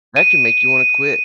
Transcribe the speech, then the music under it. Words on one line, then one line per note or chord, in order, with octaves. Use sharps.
that can make you wanna quit.
D#7